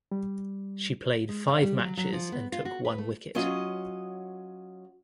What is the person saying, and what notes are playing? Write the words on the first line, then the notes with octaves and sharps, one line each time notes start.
She played five matches and took one wicket.
G3
G#3
C#3
G3
F#3
F#3
F3
B3
F4
F#4
B4
A3
F#3 C#4 F4 D#5